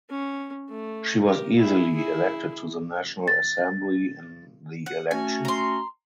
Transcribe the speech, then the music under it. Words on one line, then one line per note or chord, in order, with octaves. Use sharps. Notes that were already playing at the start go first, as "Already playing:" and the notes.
She was easily elected to the National Assembly in the election.
C#4
A3
G4 A#4
E4 G#4
E4 G#4
A6
F#5
A3 C#4 F#4 G#5
A#5 C6